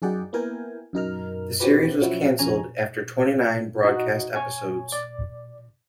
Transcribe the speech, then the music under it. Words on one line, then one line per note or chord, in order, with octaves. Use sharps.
The series was canceled after twenty-nine broadcast episodes.
F#2 D#4 G#4 D5 F#5 G5
A#3 B3 E4 A#4 G5 G#5
F#2 D#4 A#4 F6
C4 C#4 E4 F#4 G4 B4
F3 F#3 C#4 E4 F#4
F2 C#3 C#5 G#5 A#5
D#4 F#4
C#5 G#5
D5